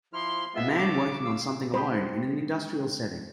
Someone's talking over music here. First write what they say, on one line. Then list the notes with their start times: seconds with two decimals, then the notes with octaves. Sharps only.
A man working on something alone in an industrial setting.
0.13 F3 E4 C6 F6
0.54 G#3 B3 F4 E5
0.77 C#5 A5 D6
1.25 F5 E6
1.74 G#3 G4 C5 B5 D#6